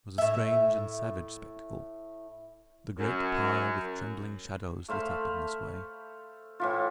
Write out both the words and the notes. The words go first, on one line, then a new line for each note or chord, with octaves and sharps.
It was a strange and savage spectacle, the great pile with trembling shadows lit up in this way.
A2 E5
F#2
A3 C5 F5 B5
A2 E3 F4